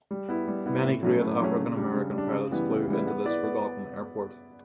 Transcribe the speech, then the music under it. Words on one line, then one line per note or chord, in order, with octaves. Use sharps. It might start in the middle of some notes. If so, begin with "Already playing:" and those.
Many great African-American pilots flew into this forgotten airport.
G3
B3 E4
G3
B3 E4
A2
F#3 A3 C#4
A2
F#3 A3 C#4
C#3
G3 D4
C#3
G3 D4
C#3
E3 G3 B3 E4
C#3
E3 G3 B3 E4
B3
E4 B4 D5
B3